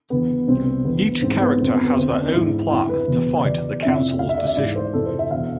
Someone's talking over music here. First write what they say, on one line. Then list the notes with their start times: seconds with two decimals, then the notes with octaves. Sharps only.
Each character has their own plan to fight the council's decision.
0.10 E2 D3 B3
0.47 C2 B2 C4
0.85 E2 D3 B3
1.22 G#2 E3 C4
1.41 B3
1.59 F2 D3 C4
1.72 B3
1.85 B3
1.96 D2 D3 C4
2.09 C4
2.21 D4
2.33 G#2 E3 E4
2.70 F2 D3 E4
2.89 B4
3.08 E2 B2
3.45 E2 B2 D5
3.82 F2 C3 E3 E5
4.19 D2 D3 F5
4.29 E5
4.38 D5
4.47 E5
4.56 G#2 E3 D5
4.76 C5
4.93 F2 C3 E3 A4
5.06 C5
5.19 E5
5.31 E2 B2 F5